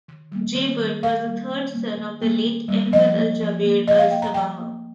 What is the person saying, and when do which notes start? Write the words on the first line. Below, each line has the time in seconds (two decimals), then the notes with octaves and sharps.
Jaber was the third son of the late Ahmad Al-Jaber Al-Sabah.
0.08 D#3
0.32 G3 A#3
0.55 D#3
0.79 G3 A#3
1.02 D#3 F5
1.26 G3 A#3
1.50 D#3
1.74 G3 A#3
1.97 D#3
2.22 G3 A#3
2.45 D#3
2.68 G3 A#3
2.92 F3 D#5
3.15 A#3
3.40 F3
3.64 A#3
3.88 F3 D#5
3.98 F5
4.11 A#3 G5
4.22 A#5
4.34 F3 G5
4.58 A#3